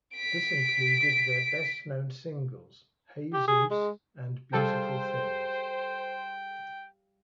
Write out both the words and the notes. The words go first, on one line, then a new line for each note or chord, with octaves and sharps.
This included their best known singles: "Hey Seuss" and "Beautiful Things".
B6 D7
G4
G#4
G#3
G3 G#4 A4 C5 F5 G5